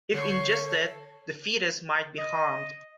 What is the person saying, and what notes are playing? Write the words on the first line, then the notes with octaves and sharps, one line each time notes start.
If ingested, the fetus might be harmed.
D3 C#5 C#6 G6 C7
A4
D#5